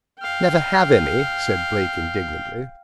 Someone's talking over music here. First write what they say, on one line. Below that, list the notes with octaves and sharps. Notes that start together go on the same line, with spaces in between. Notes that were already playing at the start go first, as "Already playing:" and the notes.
"Never have any!" said Blake indignantly.
F5 G5